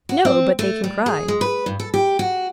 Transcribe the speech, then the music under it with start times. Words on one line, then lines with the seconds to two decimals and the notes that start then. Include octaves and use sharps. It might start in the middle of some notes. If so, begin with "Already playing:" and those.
No, but they can cry.
0.09 F#4
0.25 C4
0.59 A3
0.84 G3
1.06 G#4
1.28 G#3
1.41 B4
1.66 G2
1.80 A4
1.94 G4
2.19 F#4